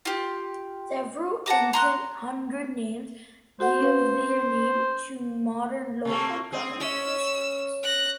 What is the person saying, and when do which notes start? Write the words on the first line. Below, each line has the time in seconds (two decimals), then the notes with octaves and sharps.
Several ancient hundred names give their name to modern local government districts.
0.05 F4 G4
1.46 F#5 A5 A#5 D6
1.73 A#5 C6 F#6
3.60 F#4 A4 C5 F#5
3.81 C#4 B4 F5
6.05 C3 A3 A#3
6.52 C4 G#4
6.80 C#4 E6
7.83 F#6 A#6